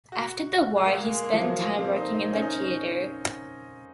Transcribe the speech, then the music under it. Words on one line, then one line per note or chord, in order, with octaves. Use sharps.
After the war, he spent time working in the theatre.
F#4
G#3
A#3
A#3
G#3
A#3
F3
F#3
A#3
C4
D#4
D#4
C#4
D#4
C#4